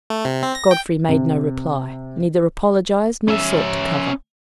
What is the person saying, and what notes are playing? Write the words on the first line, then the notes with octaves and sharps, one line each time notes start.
Godfrey made no reply--neither apologized nor sought to cover.
A3
C3
C4
A#6
G5
C3
C#4 E5